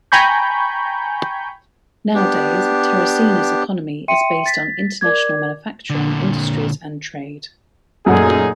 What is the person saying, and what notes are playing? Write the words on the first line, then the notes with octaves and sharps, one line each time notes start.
Nowadays, Teresina's economy is based on international manufacturing industries and trade.
G5 G#5 A#5 B5 C#6 G6
B3 D4 G4
E5 G5 C6 C#7 D#7
A6 B6
A#4 D5 D6 G#6
A#2 D3
F#2 A#2 A3 D#4 G#4 F#5